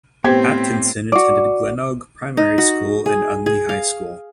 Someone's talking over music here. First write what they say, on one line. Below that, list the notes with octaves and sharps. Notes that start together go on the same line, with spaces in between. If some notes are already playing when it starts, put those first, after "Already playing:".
Atkinson attended Glenelg Primary School and Unley High School.
A2 B3 C4 G4 C5 G#6
F#4 D5
D#4
F#4
G#4
G#4
F5